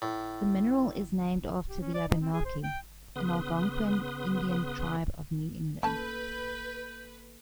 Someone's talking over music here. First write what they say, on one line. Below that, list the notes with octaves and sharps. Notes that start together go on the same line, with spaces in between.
The mineral is named after the Abenaki, an Algonquian Indian tribe of New England.
A2
G4
C#4
D5
D#4
C4
G#4
C5
G5
C#3 B3 B4 C6 D#6
A#3 C#4 A4 B4 A5 G6